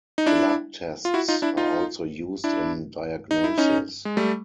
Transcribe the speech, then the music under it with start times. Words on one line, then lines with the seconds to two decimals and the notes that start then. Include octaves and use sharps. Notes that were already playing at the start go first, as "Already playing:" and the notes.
Blood tests are also used in diagnosis.
0.18 D#4
0.26 D4 E4
1.05 F4
1.14 E4 F#4
1.28 D#4 F4
1.42 D4 E4
1.57 D#4 F4
2.44 D4 E4
3.31 D#4
3.44 E4
3.58 C#4 D#4
4.05 G#3
4.17 G3 A3